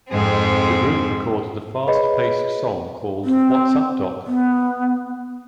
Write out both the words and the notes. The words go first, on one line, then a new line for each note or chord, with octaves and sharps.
The group recorded a fast-paced song called What's up, Doc?
F2 G#2 G#3 C4
G#4 B4 C#5 D#5 B5
C4
B3